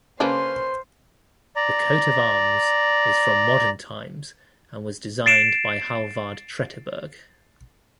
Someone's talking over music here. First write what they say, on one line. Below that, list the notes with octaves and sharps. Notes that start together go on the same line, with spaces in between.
The coat-of-arms is from modern times and was designed by Hallvard Tretteberg.
C#3 A#3 C#4 D4 B4 C5 C6
D5 A#5
A6 C7 D7 E7